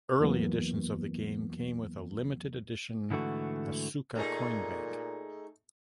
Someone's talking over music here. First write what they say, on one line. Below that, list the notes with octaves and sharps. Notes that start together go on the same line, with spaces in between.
Early editions of the game came with a limited edition Asuka coin bank.
E2 E3 F#3 A#3 B3
G#2 D3 E3 A3 F#4
A#2 A3 D#4 G#4